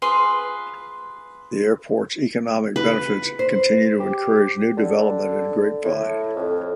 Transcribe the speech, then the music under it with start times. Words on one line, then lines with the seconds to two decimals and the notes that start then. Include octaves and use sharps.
The airport's economic benefits continue to encourage new development in Grapevine.
0.02 F4 G#4 B4 C6
2.76 B4
3.39 C5
4.00 G4
4.77 D3
5.84 A2
6.36 F2